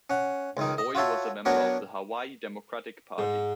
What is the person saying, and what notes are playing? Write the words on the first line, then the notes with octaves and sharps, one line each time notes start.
Doi was a member of the Hawaii Democratic Party.
C#4 F#5
C#2 D#3 D#4
D#5
F4 F#4 C#5 E5 A5
F#3 B3 D4 F#4 A#4 C#5
G#2